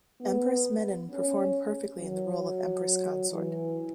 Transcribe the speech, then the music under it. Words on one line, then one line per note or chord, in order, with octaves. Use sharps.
Empress Menen performed perfectly in the role of Empress-consort.
B3
C#4
F#3
E3